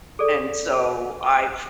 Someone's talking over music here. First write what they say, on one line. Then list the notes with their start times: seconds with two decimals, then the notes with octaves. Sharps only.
And so, I've
0.19 G#4 A4 D5